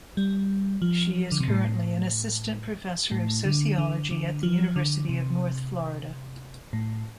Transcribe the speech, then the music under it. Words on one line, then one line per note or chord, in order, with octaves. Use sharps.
She is currently an Assistant Professor of Sociology at the University of North Florida.
G3
F3
D3
C3
A2
A2
D3
D3
D3
F3
D3
C3
A2